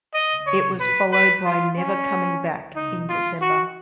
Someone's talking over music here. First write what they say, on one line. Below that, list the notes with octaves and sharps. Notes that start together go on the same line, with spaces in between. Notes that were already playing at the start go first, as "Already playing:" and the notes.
It was followed by "Never Coming Back" in December.
D#5
C#5
B4
B4
F4
C#4
D#4
F4
F#4